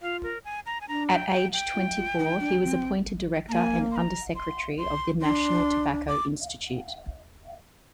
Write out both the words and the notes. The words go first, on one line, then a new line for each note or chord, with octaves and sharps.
At age twenty-four, he was appointed director and undersecretary of the national Tobacco Institute.
F4 F5
A#4
G#5
A#5
G#5
D4 A#5
G5
G5
G5
F4
F4
D#4
D4
C4
A#3 G#5 A#5
C6
A#5
C6
C6
D4 C6
D6